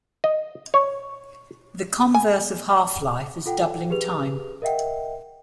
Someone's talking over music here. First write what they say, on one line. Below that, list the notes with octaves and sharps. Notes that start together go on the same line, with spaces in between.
The converse of half-life is doubling time.
D#5
C#5
G#5
F4 A4 F#5 G5
G4 G#4 B4 F7
A#4 D#5 E5 F#5 G5